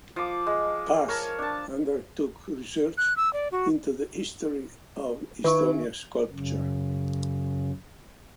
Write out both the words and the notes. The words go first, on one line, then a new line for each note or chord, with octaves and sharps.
Paas undertook research into the history of Estonian sculpture.
F3 D6
G#3
A#4 C#5 A5
D4 A5
F#6
E6
D5
F#4
D#3 D#4 B4 C#6
F#2 C#3